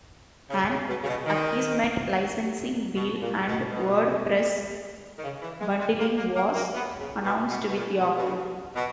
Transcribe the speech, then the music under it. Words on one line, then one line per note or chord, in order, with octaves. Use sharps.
An Akismet licensing deal and WordPress bundling was announced with Yahoo!
C#3
C#3
B2
C#3
B2
D#3
B2
A#2
B2
B2
D#3
C#3
E3
G#3
G#3
A#3
A#3
A#3
A#3
B3
C#3
B2
B2
B2
A#2
B2
B2
C#3
B2